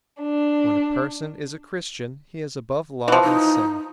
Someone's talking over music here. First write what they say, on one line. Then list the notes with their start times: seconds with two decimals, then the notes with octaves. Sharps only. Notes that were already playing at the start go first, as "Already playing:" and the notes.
When a person is a Christian he is above law and sin.
0.22 D4
3.08 E3 F3
3.24 D#4